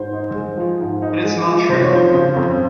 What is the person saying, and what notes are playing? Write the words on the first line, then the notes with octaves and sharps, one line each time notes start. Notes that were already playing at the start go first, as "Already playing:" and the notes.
But it's not true.
Already playing: G#2 C5
D#4
G#3
F3
G#2
D#4
G#3
F3
F1 C5
C#5
F3 C5
C#3
F2